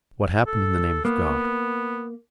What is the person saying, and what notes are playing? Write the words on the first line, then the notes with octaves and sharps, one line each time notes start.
What happened in the name of God?
A4
A#3 B3